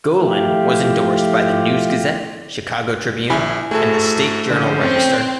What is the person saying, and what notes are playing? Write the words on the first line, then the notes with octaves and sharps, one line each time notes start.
Gollin was endorsed by the "News-Gazette", "Chicago Tribune", and the "State Journal-Register".
F3 A3 E4 F4 G4
A#1 E4 G#5 B5
G#2 A3 E4 F#4 G#4 A4 F#6
D3 F3 C#4 C5
C4 C#5